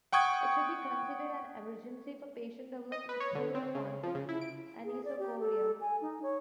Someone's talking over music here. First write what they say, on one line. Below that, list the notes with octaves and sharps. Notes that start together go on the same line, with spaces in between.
It should be considered an emergency if a patient develops acute onset anisocoria.
F#5 G5 C#6 D#6 G#6
D#5
B4
C#5
D3
C4
C#3
F3
C#3
E4
D7
G#4
D5
G4
A4
G#5
D#4
C#5